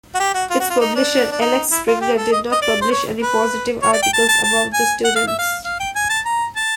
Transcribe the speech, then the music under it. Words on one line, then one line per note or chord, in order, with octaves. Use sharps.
Its publisher, Axel Springer, did not publish any positive articles about the students.
F#4
G4
F#4
F4
F#4
F4
D#4
D4
D4
D#4
E4
F4
G4
A4
D#5
D#5
D5
C5
C#5
B4
C#5
D5
G5
A5
A5
A5
G#5
F#5
F5
E5
F5
F5
G5
G#5
A5
A#5
A5